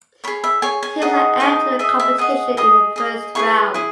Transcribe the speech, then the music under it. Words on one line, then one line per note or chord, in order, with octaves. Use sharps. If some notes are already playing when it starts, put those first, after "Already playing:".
Teams that entered the competition in the first round.
G#4 C#5 B5
E5
G#4 C#5 G#5
G#5
D#4 G#4 D#5 F#5
D#4 G#4 D#5
G#4 D#5 E5
E5
G#4 D#5 F#5
G#4 D#5 D#6
G#4 D#5
E4 G#4 B4 C#6
E4 G#4